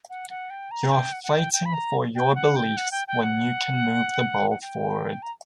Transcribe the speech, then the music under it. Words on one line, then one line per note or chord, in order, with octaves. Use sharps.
You're fighting for your beliefs when you can move the ball forward.
F#5
F#5
G5
A#5
G5
F#5
F#5
G5
G5
B5
A#5
G5
F#5
G5
F#5
G5
G5
F#5
F#5
G5
A#5